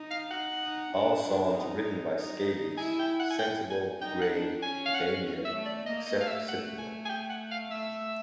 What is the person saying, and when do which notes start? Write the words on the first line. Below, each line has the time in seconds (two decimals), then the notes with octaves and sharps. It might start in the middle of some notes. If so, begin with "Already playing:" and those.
All songs written by Scabies, Sensible, Gray, Vanian, except "Citadel".
Already playing: D#4
0.11 F5
0.31 D#4 F#5
0.62 D#4
0.92 D4
1.24 D4
1.54 D#4
2.17 D#4
2.77 E4 G#5
2.99 G5
3.20 F#5
3.31 G#5
3.39 G5
3.70 G#5
4.01 D#4 G5
4.21 F#5
4.32 D4
4.62 C#4 G#5
4.86 F5
4.94 F#5
5.24 C#4
5.45 E5
5.56 A3
5.66 D5
5.86 A#3 D#5
6.06 D#5
6.17 A3 F5
6.28 E5
6.49 F#5
6.78 G#5
7.05 G#5
7.09 G5
7.30 F#5
7.51 F5
7.71 A3 E5